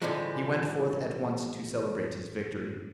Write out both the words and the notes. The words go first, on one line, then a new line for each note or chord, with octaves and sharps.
He went forth at once to celebrate his victory.
A2 D3 E3 F3 G3 G#3